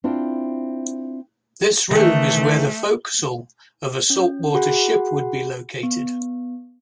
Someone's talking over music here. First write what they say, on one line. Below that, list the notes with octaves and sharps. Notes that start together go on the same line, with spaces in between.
This room is where the forecastle of a saltwater ship would be located.
C4 D4 E4 F4
D#3 E3 A3
C#4 G6
F#4 G#4 F#5 B5
B3